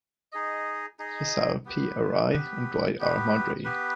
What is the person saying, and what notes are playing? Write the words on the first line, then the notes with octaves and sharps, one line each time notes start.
Hisao P. Arai and Dwight R. Mudry.
D#4 G#4 D#5
D#4 G#4 D#5
B3 G4 B4
B3 G4 B4
B3 G4 B4
B3 G4 B4